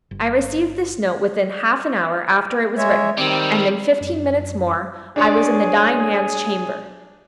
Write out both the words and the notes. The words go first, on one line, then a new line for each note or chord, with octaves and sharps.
I received this note within half an hour after it was written, and in fifteen minutes more I was in the dying man's chamber.
G1
G#3 C#5 E5
D#3 G3 C4
F#2
B2 D4 G#4 C#5 D5